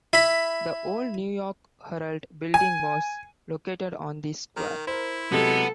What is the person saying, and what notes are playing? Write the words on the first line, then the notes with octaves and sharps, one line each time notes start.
The old New York Herald Building was located on the square.
E4 B5
G#5
D#3 A#4
E4 A#4 C5
C3 F#3 G#3 B3 A4